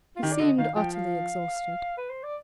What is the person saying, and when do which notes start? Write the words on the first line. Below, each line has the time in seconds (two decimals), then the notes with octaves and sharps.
He seemed utterly exhausted.
0.16 F4
0.22 D#3 G4
0.32 D5
0.40 D3 D#5
0.58 D#3 F5
0.76 F3 G5
0.94 F5
1.98 B4
2.10 C5
2.23 D5